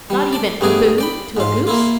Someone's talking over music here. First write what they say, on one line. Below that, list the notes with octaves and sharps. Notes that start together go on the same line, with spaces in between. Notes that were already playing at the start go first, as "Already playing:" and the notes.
"Not even boo' to a goose?"
G3
D5 A5
G2 A3 B3 G#4 D5
D5 G5 B5
G#2 F4
A#3 E4 F4